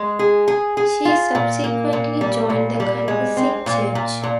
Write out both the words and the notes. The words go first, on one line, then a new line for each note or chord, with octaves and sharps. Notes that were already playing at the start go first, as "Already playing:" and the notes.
She subsequently joined the Confessing Church.
Already playing: G#3
G#4
G#4
G#4
F4
A#2
A#3
A#2
G3
A#2
G3
G#3
C4
A#2
A#2
A#2